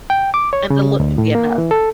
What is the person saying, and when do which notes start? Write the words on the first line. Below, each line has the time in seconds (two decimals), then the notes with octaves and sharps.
and the look can be enough.
0.10 G5
0.34 D6
0.53 C#5
0.70 C#3
1.00 D2
1.18 A2
1.35 A#3
1.58 E3
1.71 A4